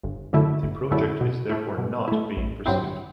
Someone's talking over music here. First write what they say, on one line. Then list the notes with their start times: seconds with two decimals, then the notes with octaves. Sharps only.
The project is therefore not being pursued.
0.04 G1
0.33 F#2 D3 A3 E4
0.63 G1
0.91 F#2 D3 A3 E4
1.21 B2
1.49 A3 E4
1.78 B2
2.08 A3 E4
2.37 A1
2.66 G2 F#3 C4 E4